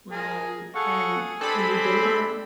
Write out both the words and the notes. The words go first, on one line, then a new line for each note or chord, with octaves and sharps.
Um, and, uh, we didn't have
G#4 A#4
G#4 A4 F5 F#5 C#6
C4 D4 G4 A4 B5